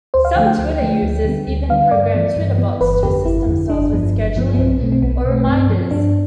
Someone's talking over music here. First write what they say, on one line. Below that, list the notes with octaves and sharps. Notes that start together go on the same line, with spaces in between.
Some Twitter users even program Twitterbots to assist themselves with scheduling or reminders.
D2 C5
F5
D3 F3 A3 G5
G5
D2
D3 F3 A3
D2
D3 G3 B3
D2
D3 G3 B3 F5
G2 D5
E3 B3
G2
E3 B3
G1 B4
F2 D3 G4
G1 E4
F2 D3
G1 D4
G2 F3 B3
G1
G2 F3 B3
B3
B1 C4
B2 A3
C4
B1 B3
B2 A3
G2 C4
F3 B3
G2 D4